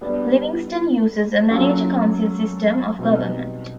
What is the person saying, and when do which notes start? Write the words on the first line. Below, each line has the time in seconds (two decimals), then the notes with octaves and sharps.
Livingston uses a manager-council system of government.
0.01 G3 B3 D4
1.50 F#3 A#3 C#4 F4 A4
2.99 B2 G3 C4 D#4